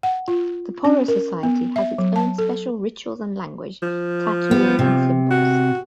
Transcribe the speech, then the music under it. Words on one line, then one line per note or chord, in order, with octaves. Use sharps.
The Poro society has its own special rituals and language, tattooing and symbols.
F#5
F4
C#4
A#4
B3
E5
F#3
A5
A4
F3
B3
C3
F#4